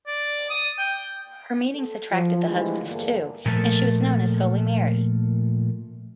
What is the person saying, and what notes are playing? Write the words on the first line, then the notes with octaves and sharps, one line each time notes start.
Her meetings attracted the husbands too and she was known as "Holy Mary".
D5
D#6
G5
A4
F3
D3 E3 F3 G#3 A3 G4
E2 G2 D3 A#3 G#4 A4
A#2 F3 A3 A4 A#4